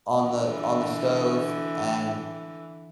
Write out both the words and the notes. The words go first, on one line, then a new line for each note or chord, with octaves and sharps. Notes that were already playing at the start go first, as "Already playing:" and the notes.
on the on the stove and
D3 E3